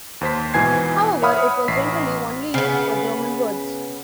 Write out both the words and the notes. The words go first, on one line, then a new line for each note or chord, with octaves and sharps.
However, it was generally only used for German words.
D#2 C5 B6
G#2 B2 E3 G#5 G#6 C7
C#5 E5 F#5 B5 D#6 F6
A1 B6 C7
C#3 B3